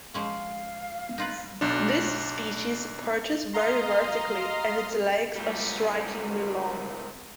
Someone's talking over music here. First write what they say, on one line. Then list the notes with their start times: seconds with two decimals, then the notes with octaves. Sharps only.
This species perches very vertically, and its legs are strikingly long.
0.14 F3 G#3 C#4 F5
1.18 D#4 F4 B4
1.61 B1 D4
3.53 D#5 F5 A#5 C6
5.36 C#2 G3